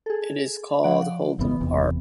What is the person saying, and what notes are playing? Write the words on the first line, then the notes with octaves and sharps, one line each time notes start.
It is called Holden Park.
G#4 A4
F3 F#5 D7
G#1 G#2 C#3 E3 B3
F#1 E2 C3